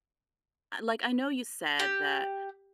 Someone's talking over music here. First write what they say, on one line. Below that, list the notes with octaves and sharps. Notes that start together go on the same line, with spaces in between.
like I know you said that
G4